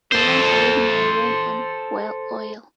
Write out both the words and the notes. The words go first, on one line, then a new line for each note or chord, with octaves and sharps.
The lamp originally ran on whale oil.
A4 C5